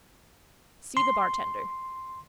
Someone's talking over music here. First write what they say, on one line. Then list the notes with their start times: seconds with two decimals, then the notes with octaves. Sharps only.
See the bartender.
0.97 C6